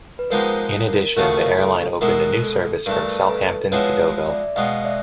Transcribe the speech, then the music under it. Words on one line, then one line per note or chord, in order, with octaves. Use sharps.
In addition, the airline opened a new service from Southampton to Deauville.
B4
F3 G#3 B3 D#4 G4 A#4 C5
A#4
C#3 F3 A3 C#4 F#4 A#4
A4
B2 G#3 B3 E4 A#4
A4
G2 E3 A3 A#4
A4 B4
F3 G#3 B3 E4 G#4 B4 C#5
D5 E5
B2 G#3 B3 D#5 F5
D5 E5